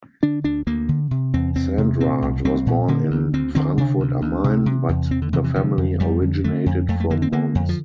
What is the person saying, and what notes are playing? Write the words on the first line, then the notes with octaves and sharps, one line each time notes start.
Sandrart was born in Frankfurt am Main, but the family originated from Mons.
D3 D4
D2 D4
D2 A#3
D3
C3
E2 C4
E2 C4
C3
A#2 C4
C2
C2 C4
A#2
D3 A#3
D2
D2 C4
D3 C4
C3 D4
D2
D2
C3
C3
E2
E2 C4
D3
C3 E3
E3
D3 F3
F2
F2 G3
D3
D3 A3
F2
F2 A3
A3
D3 A#3
C4
D3 A#3
F2
F3